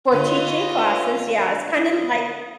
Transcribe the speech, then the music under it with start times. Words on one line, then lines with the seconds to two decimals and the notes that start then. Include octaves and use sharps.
for teaching classes, yeah. It's kinda like
0.12 D3 F4 B4 C#5 D#5
1.77 D#5